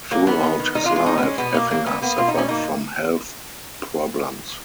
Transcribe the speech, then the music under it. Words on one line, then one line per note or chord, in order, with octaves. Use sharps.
Throughout his life, Effinger suffered from health problems.
F#3 A#3
D#3 B3
D#3
D#3
D#3 D#4
F4
G#3
F4
D#3 D#4
B3
G#3 C#4
B2 B3
B2 A#3
F#3 A#3
A#3 B3
A#3 B3
B2 F4
D#4
B2 C#4
A#3 D#4